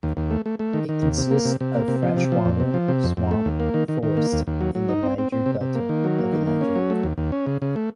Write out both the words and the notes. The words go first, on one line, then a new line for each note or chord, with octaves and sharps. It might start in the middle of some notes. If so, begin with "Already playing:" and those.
It consists of freshwater swamp forests in the Niger Delta of the Niger River.
D#2
D#2
A3
A3
A3
D#3
D#3
D#2
C3
A#3
C3
C3
A#3
C3
F3
C3
F3
F2
C3
F3
C3
F2
F2
A3
D#2
A#3
D#3
D#3
D#3
A#3
D#2
D#2
F#3
F#3
D#4
C4
C4
C4
C3
C3
A#3
D#3
F#3
A#3
D#3
A#3
C#4
F#3
A3
D#2
D#2
C#4
C#3
C#3
A3